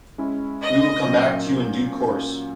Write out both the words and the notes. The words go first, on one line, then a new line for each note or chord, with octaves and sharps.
We will come back to you in due course.
G#3 C#4 E4
D#5
A#2 F#3 A#3 C#4